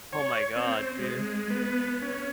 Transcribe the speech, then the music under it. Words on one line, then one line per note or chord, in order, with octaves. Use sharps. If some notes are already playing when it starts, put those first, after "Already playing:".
Oh my god, dude.
C#5
C4
G#3
B3
C#4